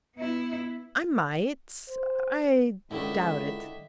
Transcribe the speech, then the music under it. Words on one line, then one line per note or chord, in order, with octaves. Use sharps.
'I might--I--doubt it.
B3 E4
C5
C#2 D3 D#3 E4 A4 E5